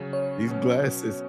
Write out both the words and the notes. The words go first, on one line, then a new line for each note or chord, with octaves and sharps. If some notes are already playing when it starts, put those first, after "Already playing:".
These glasses
Already playing: C#3 F#3 C#4
C#5
B2 F#3 C#4